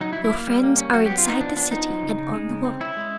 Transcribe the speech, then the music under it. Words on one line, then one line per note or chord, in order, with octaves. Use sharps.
Your friends are inside the city and on the watch.
F#3 D#4
E4
F#3
E4
A#3
G3
A#3
C#4
F#3 F#4
B3 G4
F4
B3 D#4
F3 D4
B3 D4
F3 D#4
F#3
C#3
C#3
G#3
C#3
C4
C#4 E4
G#3